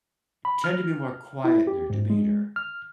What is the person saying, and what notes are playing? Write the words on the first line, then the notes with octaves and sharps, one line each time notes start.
tend to be more quiet in their demeanor,
B5
F6
E4
G4
G#2
G#3
F6